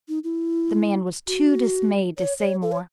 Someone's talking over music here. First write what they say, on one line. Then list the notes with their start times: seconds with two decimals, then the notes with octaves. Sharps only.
The man was too dismayed to say more.
0.09 D#4
0.24 E4
1.27 F#4
2.18 C#5
2.40 C#5
2.62 A4
2.72 C#5